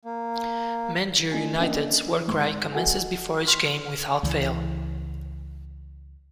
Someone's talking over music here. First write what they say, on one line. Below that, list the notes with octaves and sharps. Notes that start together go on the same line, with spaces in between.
Mangere United's war cry commences before each game without fail.
A#3
A3 D4 E4 F4 D#5 G#5
A#3 C#4 D4 A#4 D#5 G5
E3
G#1 G#2 C6
F#4 A4 D#5 F#5 G#5
C6 C#6 F6 B6
C#2 E3